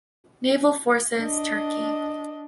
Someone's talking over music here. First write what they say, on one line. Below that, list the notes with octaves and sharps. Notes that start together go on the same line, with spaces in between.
Naval Forces, Turkey.
D4 D#5